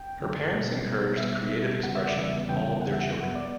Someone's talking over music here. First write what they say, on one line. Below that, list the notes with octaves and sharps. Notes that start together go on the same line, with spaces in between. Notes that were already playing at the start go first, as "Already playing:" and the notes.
Her parents encouraged creative expression in all their children.
Already playing: G5
F#2 D3 F#3 A3
B2 G3 B3
B2 G3 B3
B2 G3 B3 E5
B2 G3 B3
E2 C#3 G3 B3 F#5
E5
D5
E2 C#3 G3 B3 E5
E2 C#3 G3 B3 G5
G5
E2 C#3 G3 B3 F#5
E5
F#5
G2 F#3 B3
D5